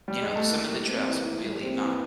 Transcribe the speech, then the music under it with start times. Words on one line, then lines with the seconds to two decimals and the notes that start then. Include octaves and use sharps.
you know, some of the trails are really not,
0.08 G3
0.22 G#3
0.36 A3
0.50 A#3 E4
0.69 G3
0.88 C4
1.07 E3
1.25 E4
1.43 G3
1.62 C4
1.81 E3